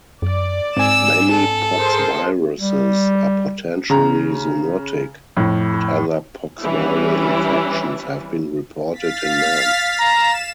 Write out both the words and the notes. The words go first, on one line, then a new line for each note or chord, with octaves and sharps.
Many poxviruses are potentially zoonotic, and other poxviral infections have been reported in man.
F#2 D5
G#2 C4 G#5 E6 E7
A4
G#4 A#4 C5
G3
C#3 A#5
F2 A2
E3 G3 C#4 D4 E4
F5 A6 B6
A#5 E7